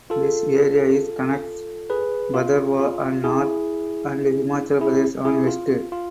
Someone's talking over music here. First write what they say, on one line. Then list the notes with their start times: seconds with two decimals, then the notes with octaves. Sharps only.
This area is connects Bhaderwah on North and Himachal Pradesh on West.
0.10 F4 A4
1.90 G#4 B4
2.34 F4
2.80 F4
3.24 E4 G#4
4.81 E4 G#4
5.25 E4 G#4
5.47 F4
5.92 F4